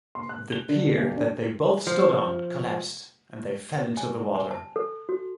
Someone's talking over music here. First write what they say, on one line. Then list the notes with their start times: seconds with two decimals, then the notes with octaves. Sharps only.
The pier that they both stood on collapsed and they fell into the water.
0.15 C6
0.29 F#6
0.52 G7
0.69 D3
0.97 B1
1.16 D4
1.87 F3
3.97 G#5
4.35 G#5
4.51 A5
4.76 A4
5.09 F#4